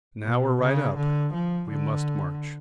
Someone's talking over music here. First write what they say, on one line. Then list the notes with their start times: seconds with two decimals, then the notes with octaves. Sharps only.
Now we are right up, we must march.
0.23 B2
0.60 C#3
0.97 D3
1.33 F3
1.70 D3